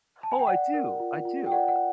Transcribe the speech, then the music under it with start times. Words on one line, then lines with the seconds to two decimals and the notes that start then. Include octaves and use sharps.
Oh, I do, I do, uh
0.23 A5
0.31 G#5
0.39 G5
0.47 D5 F#5
0.74 A#4
1.00 F4
1.25 F4
1.46 G5
1.52 D5 F#5
1.68 F#5